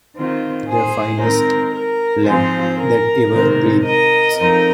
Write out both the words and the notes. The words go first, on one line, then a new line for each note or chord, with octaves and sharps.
The finest lad that ever breathed!
D#3 C4 F4
G#4 C5
D#3 G#3 C4 D#4 A#4
A#4
G#2 F3 C4 F4 G#4 C5
A#4
C3 D#3 G#3 C4 A#4
A#4 D#5
F2 F3 C4 D#4 A#4 D#5